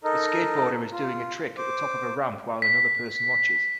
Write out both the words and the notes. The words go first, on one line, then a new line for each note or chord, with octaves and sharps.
A skateboarder is doing a trick at the top of a ramp while another person watches.
D#4 A4 A#4 D#5
F4
C5 D6
B6